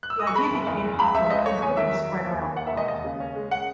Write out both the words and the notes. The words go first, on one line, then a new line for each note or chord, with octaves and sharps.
The idea became popular and quickly spread around the world.
F#6
E6
D#6
C#6
G#3 B5
F#1
E2
G#3
C#2 B5
C#2 E5
C#2 D#5
A3 C#5
E2 G#5
D#3 E5
F#3
E2
D#2
D#3
D#2 F#5
E5
E1 D#5
D#2 D#5
C#3
C#4
G#3
F#5